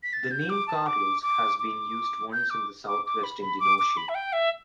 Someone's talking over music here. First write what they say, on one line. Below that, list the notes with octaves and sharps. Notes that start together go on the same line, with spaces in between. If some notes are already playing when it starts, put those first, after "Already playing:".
The name Carlos has been used once in the South-West Indian ocean.
B6
A6
G6
D6
A5
D6
D6
D6
G6
D6
D6
D6
B5
B5
D6
D6
B5
E5
G5
E5